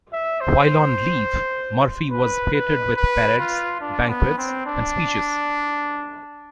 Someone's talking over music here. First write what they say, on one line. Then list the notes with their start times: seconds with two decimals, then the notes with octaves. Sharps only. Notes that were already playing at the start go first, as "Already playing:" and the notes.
While on leave, Murphy was feted with parades, banquets, and speeches.
0.13 E5
0.41 C5
2.10 B4
2.54 B4
2.96 B4
3.39 F4
3.81 D4
4.09 B3
4.38 C4
4.66 D4